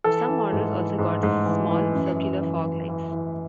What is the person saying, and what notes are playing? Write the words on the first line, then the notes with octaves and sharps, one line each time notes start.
Some models also got small circular fog lights.
E3 A4
E3
G#2
E3
G#2
G#2
E3
E3
F#2
F#2
E3
E3
E3
E3